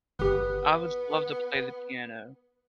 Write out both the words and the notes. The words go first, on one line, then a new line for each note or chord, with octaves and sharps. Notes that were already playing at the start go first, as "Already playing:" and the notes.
I would love to play the piano.
G1 B3 G4